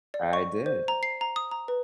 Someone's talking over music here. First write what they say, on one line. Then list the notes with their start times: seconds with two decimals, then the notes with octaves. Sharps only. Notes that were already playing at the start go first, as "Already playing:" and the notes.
I did.
0.14 D5
0.33 C#6
0.66 C5
0.88 A#5
1.03 C7
1.21 A#5
1.36 D#6
1.51 A#5
1.68 B4